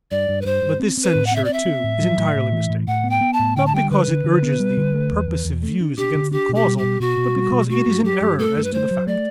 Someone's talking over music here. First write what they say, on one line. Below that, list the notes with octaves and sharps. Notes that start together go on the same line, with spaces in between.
But this censure too is entirely mistaken, not because it urges the purposive views against the causal but because it is in error as to the facts.
G2 D5
G2
B4
G2 C5
G2
C4
C4
B4
A2
F#5
C4 E5
D5
C4 E5
C4
A2
F#3
A2
A2
E3
A2
A2 F#5
B3
G5
B3
A5
A2
D3 G5
A5
G3 G5
D3 B4
D3
D3
B3
G3
D3
A3
E2
E2
E2
A3
D4
D4 G4
D3
D4 G4
B2
G4
G3
G4
B2
B2 F#4
B2
G3
B2
A3 F#4
G2
F#3 G4
G2
A3 A4
G2
B4
A3 C5
F#3
A3 D5